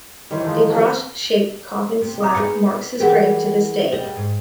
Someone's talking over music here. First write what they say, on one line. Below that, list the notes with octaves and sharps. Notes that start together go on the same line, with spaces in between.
A cross-shaped coffin slab marks his grave to this day.
D#3 E3 G3 C5 C#5
F3 G#3 A3
C#3 F3 F#3 F#4
C3
A#5 D6 D#6
B3 D#4 G#4 C#7
E3 G4 G#4 A#4 F#5
G3 D#5
G#2